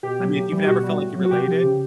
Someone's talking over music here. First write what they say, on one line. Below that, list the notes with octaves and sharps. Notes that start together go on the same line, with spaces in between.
I mean, if you've never felt like you related
B2 G4
F#3
A2
E3 G3
G4
B2 F#4
G3
A2
F#3
F#4
C3 G4
F3
C#3